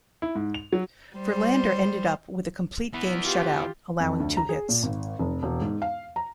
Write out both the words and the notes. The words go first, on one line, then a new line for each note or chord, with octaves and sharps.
Verlander ended up with a complete game shutout allowing two hits.
E4
G#2
F7
F#3
G3 C5
E3 B3
F4 G4
F2
D2
A#5
G#4
A#2
G#1
F1
E1
G#2
F5
A#5